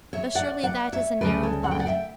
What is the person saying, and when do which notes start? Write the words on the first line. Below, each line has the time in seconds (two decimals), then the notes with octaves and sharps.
But surely that is a narrow thought.
0.13 C#5 E5
0.35 D5 F#5
0.63 D5 F#5
0.93 C#5 E5
1.21 D2 C#3 G3 B4 D5
1.43 A4 C#5
1.64 F#5
1.71 G5
1.79 D5 F#5
1.86 E5 G5